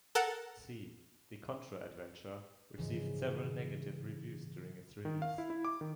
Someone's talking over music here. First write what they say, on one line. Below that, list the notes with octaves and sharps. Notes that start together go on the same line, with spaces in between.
"C: The Contra Adventure" received several negative reviews during its release.
A4 A#4 F#5
G#2 C#3 E3 F3
D#3
F5
E4
E4
D6
D#3